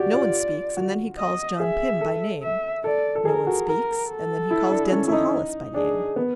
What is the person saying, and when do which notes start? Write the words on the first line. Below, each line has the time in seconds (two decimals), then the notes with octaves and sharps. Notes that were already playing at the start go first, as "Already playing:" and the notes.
No one speaks, and then he calls John Pym by name. No one speaks, and then he calls Denzil Hollis by name.
Already playing: F#4 G4 D5
0.14 F4
0.77 F#4
1.18 D#5
1.59 G#4 E5
2.01 A4
2.42 E5
2.84 A4 D5
3.15 A4
3.25 G#4 A#4
3.47 F#4
3.67 A#4
4.08 A4
4.51 E4
4.70 D4
4.92 C#4
5.08 E4
5.12 D#4
5.74 D4 G#4
6.16 B3